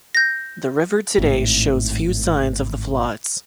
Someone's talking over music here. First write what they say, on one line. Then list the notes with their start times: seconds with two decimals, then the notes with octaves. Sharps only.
The river today shows few signs of the floods.
0.15 G6 A#6
1.18 G#1 A2